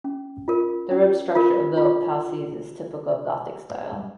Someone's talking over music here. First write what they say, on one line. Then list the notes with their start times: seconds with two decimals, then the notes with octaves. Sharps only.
The ribbed structure of the apses is typical of Gothic style.
0.04 C#4
0.48 F4 A#4
0.91 C#4
1.35 F4 A#4
1.77 F4